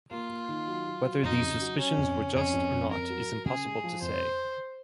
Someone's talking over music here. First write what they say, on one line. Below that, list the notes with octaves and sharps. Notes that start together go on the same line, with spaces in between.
Whether these suspicions were just or not is impossible to say.
A#3 F4
A#3
D#3
F#3
F#3
F#3
F2 D#4
C#3
F#3
F#3 C#4
F2
C#3
F2 C#4
F2
F2
F2 A#4
F#3
F#3
C#3 G#4
G#3
F3
F2 C5